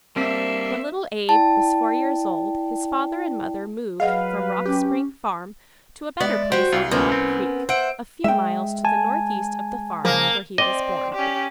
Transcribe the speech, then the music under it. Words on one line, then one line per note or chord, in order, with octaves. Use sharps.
When little Abe was four years old his father and mother moved from Rock Spring Farm to a better place on Knob Creek, a few miles to the northeast of the farm where he was born.
G3 A#3 C4 D4 E5
E4 D5 G5 A5
F#3 G#4 B4 D#5 F5 F#5
C#4 G4
G#3 B3 D5 E5
F#4 G4 C5 G5
C2 F4 F5
D2 F3 A#3 B3 C#4 A#4
C4
C5 E5 F#5 D7
G#3 E5 G5
G#5 A5
C#3 F3 A#3
C4 D5 D#5
C#4 G4